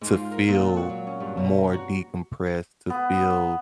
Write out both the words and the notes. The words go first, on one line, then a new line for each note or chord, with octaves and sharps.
to feel more decompressed, to feel,
G#2
F4
A#4
A#2
A#2
F#4
F#3
C#4
G2
B2
A#5
F#4
B3